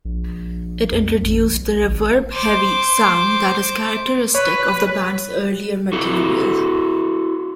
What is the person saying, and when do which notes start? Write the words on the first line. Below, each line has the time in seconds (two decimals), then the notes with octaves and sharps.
It introduced the reverb-heavy sound that is characteristic of the band's earlier material.
0.05 A#1
0.92 F2
1.23 A1
1.53 B1
1.83 G#1
2.32 C5 D6
4.35 B4 C#5
5.93 E4 F#4 A4